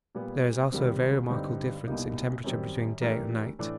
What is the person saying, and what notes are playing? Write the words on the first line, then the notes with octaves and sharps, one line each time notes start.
There is also a very remarkable difference in temperature between day and night.
A#2 G3 B3
C#2 C3 D#3 G3 C4
G2 D3 G3 C4 D#4
C2 B2 G3 A#3 D#4
F#2 D#3 G3 C4
E3 A3 D4 G4 A#4
A2 E3 A3 D4